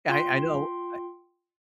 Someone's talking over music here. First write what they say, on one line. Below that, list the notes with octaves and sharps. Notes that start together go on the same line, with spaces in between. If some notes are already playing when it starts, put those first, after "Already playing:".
I I know, I
F4 G5 C6